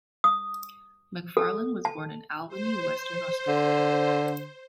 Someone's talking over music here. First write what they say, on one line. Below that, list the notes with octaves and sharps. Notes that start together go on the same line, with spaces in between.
McFarlane was born in Albany, Western Australia.
D#6
A4
A5
C5
D3